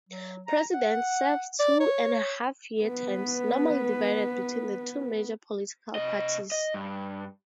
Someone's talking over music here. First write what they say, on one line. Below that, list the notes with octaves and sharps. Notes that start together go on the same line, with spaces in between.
Presidents serve two-and-a-half-year terms, normally divided between the two major political parties.
F#3
A#5
F#5
D5
C#5
B3 B4
C3 D#5
D#5
G2